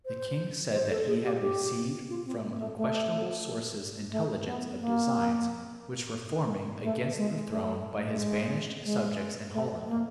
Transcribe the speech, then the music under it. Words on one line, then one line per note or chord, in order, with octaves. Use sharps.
The King said that he had received from unquestionable sources intelligence of designs which were forming against the throne by his banished subjects in Holland.
C5
C5
A4
G#4
G4
G4
F4
C4
A#3
A#3
A3
A3
A3
B3
A#3
A3
G#3
A3
A3
G#3
G#3
A3
A#3